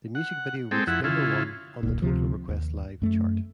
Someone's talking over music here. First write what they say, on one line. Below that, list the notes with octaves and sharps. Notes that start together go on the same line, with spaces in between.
The music video reached number one on the "Total Request Live" chart.
F#5
G#3 C4 A4 G5
F2 E4 F#5
C#3 E4 F4
D#1 B1 A#2
D2 C3 F3
D#2
F#2 A3